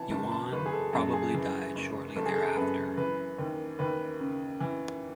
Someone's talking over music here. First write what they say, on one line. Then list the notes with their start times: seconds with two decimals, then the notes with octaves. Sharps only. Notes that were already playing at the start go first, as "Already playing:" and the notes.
Yuan probably died shortly thereafter.
Already playing: E3 A5
0.11 F#1 A5
0.32 A5
0.52 F#1 B4
0.66 G#4
0.72 A4
0.93 F#2 A4
1.13 G#4
1.34 E3
1.75 F#1
2.16 F#1 A4
2.26 G#4
2.35 A4
2.56 F#2 B4
2.97 E3 B4
3.39 D#2
3.79 D#2 B4
4.20 C#3
4.60 E3